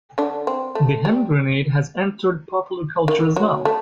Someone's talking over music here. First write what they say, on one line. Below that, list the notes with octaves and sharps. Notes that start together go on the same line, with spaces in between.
The Hand Grenade has entered popular culture as well.
D3 D4
C4
A3
G3
D#3
F#3
A3